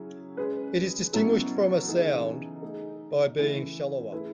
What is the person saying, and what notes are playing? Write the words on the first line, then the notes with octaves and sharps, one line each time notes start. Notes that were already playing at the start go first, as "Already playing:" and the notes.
It is distinguished from a sound by being shallower.
Already playing: C#3 F#3 C#4 E4 G#4
G#3 C#4 G#4 B4
B2 F#3 C#4 E4 A4
C#3 E3 A3 D#4 G#4
A3 D#4 G#4
C#3 E3 A3 E4
A3 E4 G#4 B4